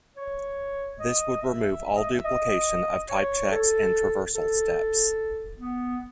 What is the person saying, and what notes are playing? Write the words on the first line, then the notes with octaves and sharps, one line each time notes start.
This would remove all duplication of type checks and traversal steps.
C#5
D#5
E5
E5
D#5
E5
D#5
C#5
A4
A4
B3